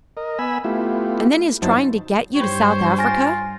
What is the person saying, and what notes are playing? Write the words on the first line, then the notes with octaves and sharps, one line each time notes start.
And then his trying to get you to South Africa.
A#4 D#5
B3 G#5 B5 E6
A3 B3 E4 F4 G4
F#2 F#3 D#4 E4 C5 A5
G2 G4 C5 C#5
F4 G#5 A#6